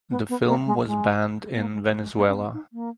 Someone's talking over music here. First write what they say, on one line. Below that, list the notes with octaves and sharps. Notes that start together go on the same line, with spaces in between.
The film was banned in Venezuela.
B3
B3
A#3
G#3
G#3
B3
A#3
G#3
G#3
G#3
A#3
C#4
B3
D#4
A#3